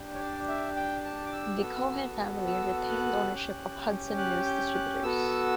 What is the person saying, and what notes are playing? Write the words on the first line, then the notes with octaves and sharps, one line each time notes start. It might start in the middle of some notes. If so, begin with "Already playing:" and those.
The Cohen family retained ownership of Hudson News Distributors.
Already playing: D4 G4
C#5
D5
E5
G5
A5
D6
E6
B3 F#4 A4
E6
F#6
C#4 G4
F#6
G6
F#6
B3 F#4 A4 E6